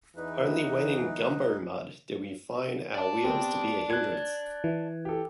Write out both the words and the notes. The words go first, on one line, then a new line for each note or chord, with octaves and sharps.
Only when in gumbo mud did we find our wheels to be a hindrance.
E2 E3 D#4 B4
D5 A5
B3 C4 G4
F#6 G#6
E3
G4 A4